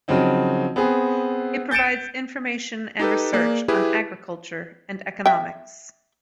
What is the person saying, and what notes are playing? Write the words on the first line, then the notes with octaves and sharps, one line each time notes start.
It provides information and research on agriculture and economics.
C#3 F3 F#3 C4 D#4
B3 C4 G#4
G6 A6 C#7 D7 E7
D#4 G4 A4 B4
A#3 G#4 D5
E4 G4 G#4 B4
E5 G5